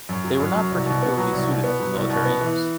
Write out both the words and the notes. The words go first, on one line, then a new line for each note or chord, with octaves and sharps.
They were not particularly suited for military use.
F#2
F#3
F#2
F#3
C2
B2
B3
F#3
C2
B2
B3
F#3
C2
B2
B3
E3